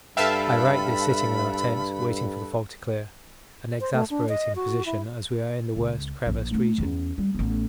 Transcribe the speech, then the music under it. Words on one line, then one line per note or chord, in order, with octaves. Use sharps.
'I write this sitting in our tent waiting for the fog to clear--an exasperating position as we are in the worst crevassed region.
G2 A4 B4 E5 F5 G5 A5 B5
C5
A3
D4
D#5
F#4
E4
C#2
A#1 F3
A3 D#4
E2 C#4
G3
A1 B3